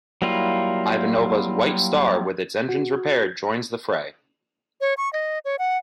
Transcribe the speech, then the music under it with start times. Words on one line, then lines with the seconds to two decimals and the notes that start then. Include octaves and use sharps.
Ivanova's "White Star", with its engines repaired, joins the fray.
0.22 F#3 G3 A#3 E4 F4
2.69 F#4
4.81 C#5
4.97 C#6
5.13 D#5
5.45 C#5
5.59 F#5